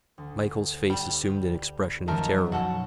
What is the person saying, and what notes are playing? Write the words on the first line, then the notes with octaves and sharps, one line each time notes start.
Michael's face assumed an expression of terror.
D2
G3
F#2 D#3 F3 A3 A#4
B2 F#4 A4 F#5